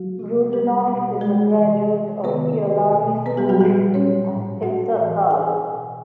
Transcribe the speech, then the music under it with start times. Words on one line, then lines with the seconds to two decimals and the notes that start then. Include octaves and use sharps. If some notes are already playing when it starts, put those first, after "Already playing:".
Rudinoff is a graduate of Iolani School and Pitzer College.
Already playing: F#3 F#4
0.19 C3 F3
0.53 G3 G4
0.87 B2
1.21 G#3 G#4
1.55 C3 E3
2.24 C3 D#3 B3 B4
2.92 B2
3.26 B3 B4
3.37 G3 G4
3.49 F#3 F#4
3.61 A#2 F3 G3 G4
3.94 C#4 C#5
4.28 A2 F3
4.63 F#4 F#5
4.96 A2 E3
5.31 G#4 G#5
5.65 B2